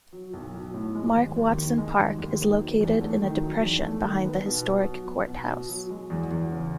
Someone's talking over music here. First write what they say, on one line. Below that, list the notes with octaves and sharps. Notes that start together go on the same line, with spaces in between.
Mark Watson Park is located in a depression behind the historic courthouse.
F#3
B1
B1
A2
G#3
D#2
D#2
D#3
G#3
D#2
D#2
D#3
F#3
E2
A3
D#3
F#3
E2
A3
D#3
B3
B2
F#4
F#3
B3
B2
F#4
F#3
G#3
E2
E2
C#3